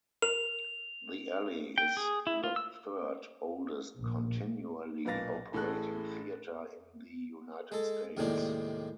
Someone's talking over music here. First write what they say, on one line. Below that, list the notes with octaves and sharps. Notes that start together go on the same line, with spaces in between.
The Alley is the third oldest continually operating theatre in the United States.
A#4 F7
G5
G#4
E4
F4
E6
A#1
B1 A#2 B4 F5 A6 A#6
A1 A2 G#4 A4 F#6
G#3 A4
D#2 A2 C3 G#3 D4